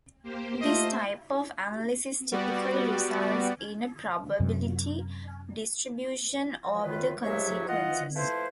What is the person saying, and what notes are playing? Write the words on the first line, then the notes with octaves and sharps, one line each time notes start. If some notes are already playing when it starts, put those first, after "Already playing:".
This type of analysis typically results in a probability distribution over the consequences.
A#3 G4 C5
A3 F4 C5 D#5
G3 B3 F#4 D5
F#2 C3
C2 F#2 D#3 F4 B4
C#2 G#2 F#3 G4 C#5 E5
F4 D#5 F#5
F3 A3 E4 B4 C5